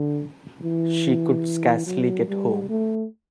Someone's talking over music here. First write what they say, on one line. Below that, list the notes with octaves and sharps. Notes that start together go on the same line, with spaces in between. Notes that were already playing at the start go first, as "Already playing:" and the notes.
She could scarcely get home.
Already playing: D3
E3
F#3
G3
A3